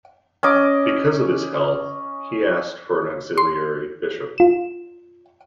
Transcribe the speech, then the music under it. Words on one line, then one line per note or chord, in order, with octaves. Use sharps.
Because of his health, he asked for an auxiliary bishop.
C#4 D#5 D6
C6
F4 E7